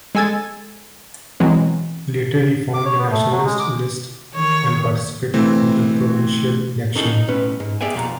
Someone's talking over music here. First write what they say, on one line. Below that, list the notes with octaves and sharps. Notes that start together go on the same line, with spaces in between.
Later he formed Nationalist List and participated in the provincial election.
G#3 A4 G#5 E6 G#6 A6
B2 E3 F#3 G#3 C4
D6
C#5
B3
A3
F#3
G#3
D6
D#3 C#5
E3 A3 C4
C#3 A#3 D#4 E4 A4
D#4
B1 A2 C#4 B4
G#2
G4 G#4 D5 E5 G5 G#5
B1 F2 A#2 F5 A#5